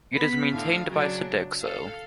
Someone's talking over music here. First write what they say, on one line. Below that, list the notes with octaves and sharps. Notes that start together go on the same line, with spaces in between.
It is maintained by Sodexo.
B3 B5 B6
A2 D3 F5
C#3 F#3 D4
A4 F5